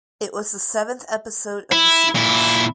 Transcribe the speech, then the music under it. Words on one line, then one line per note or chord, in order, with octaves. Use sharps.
It was the seventh episode of the series.
E4
A#2 E4